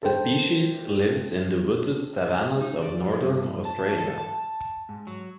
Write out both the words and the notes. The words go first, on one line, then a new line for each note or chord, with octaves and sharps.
The species lives in the wooded savannas of northern Australia.
A4 A#4 C5 G5
D#4
D5
F3
G2
A5
A4
A5
G#2
F#3